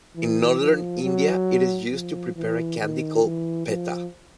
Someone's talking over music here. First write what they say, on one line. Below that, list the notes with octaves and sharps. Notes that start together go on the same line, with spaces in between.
In northern India it is used to prepare a candy called "Petha".
E3
F3
F#3
F3
E3
D#3
E3
F3